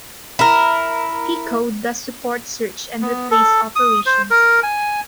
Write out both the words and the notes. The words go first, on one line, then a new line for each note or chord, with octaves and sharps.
Pico does support search and replace operations.
E4 A#4
B3
A4
D#6
C5
A#4
G#5